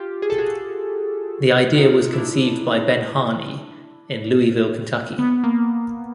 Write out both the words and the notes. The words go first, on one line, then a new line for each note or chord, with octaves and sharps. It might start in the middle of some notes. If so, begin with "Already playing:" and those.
The idea was conceived by Ben Harney, in Louisville, Kentucky.
Already playing: F4 G4
G#4
A4
F#4 G#4
D#4 F4
D4 E4
B3
A#3